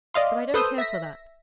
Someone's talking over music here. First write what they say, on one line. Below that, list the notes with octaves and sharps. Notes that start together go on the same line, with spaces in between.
But I don't care for that.
D5 D#5 F5 C6
A4 B4 C5 D#6 E6 G6
E5 A#6 B6